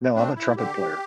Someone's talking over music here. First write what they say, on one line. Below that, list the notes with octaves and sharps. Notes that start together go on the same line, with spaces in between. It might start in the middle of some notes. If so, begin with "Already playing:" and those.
No, I'm a trumpet player.
A3 C4 D4
E4
D3 G4